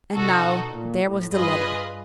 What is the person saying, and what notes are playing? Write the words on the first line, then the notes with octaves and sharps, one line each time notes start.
And now--there was the letter!
C3 D#4 F#4 A4
B2
A#2
A2
G2 F4 G#4 B4 D#5